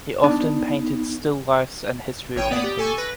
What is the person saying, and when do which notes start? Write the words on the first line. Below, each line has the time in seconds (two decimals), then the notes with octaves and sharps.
He often painted still lifes and history paintings.
0.24 B3 D4 D#4
2.36 A1 C#5 G5 D#7
2.51 B3 D5 D#6
2.64 G4
2.78 A4 G#5 C#6
2.98 B4 A#6